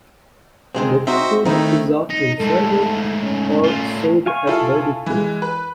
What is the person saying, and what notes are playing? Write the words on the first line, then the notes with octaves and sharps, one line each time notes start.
The food is often served or sold at barbecues.
D#3 G#3 C4
C4 D#4 F#4 C5 E5
D#3 A3 C4 D#4 E4
D#4
G#2 A3 A4
C#4
A2 F4
F5 G#5 C#6
E4 F4 A4
E3 G#3
B4